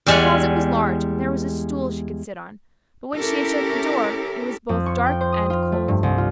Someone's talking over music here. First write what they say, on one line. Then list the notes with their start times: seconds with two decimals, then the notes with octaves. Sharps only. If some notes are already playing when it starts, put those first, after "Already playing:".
The closet was large, and there was a stool she could sit on; but when she had shut the door, it was both dark and cold.
0.06 E2 G3 G#3 E5 F#5 G#5
3.15 C#4 E4 G4 A4 A#4
4.69 F2
4.86 C#6
5.06 G5
5.21 C5
5.32 D#6
5.50 F4
5.72 A3
5.88 G2
6.03 C2
6.18 F4